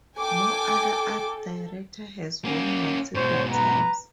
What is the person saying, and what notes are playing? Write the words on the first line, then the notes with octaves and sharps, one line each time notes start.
No other art director has won multiple times.
A4 G5 G#5 D6
A#3 C#4
G#2 B2 C5 C#5
B4 A#5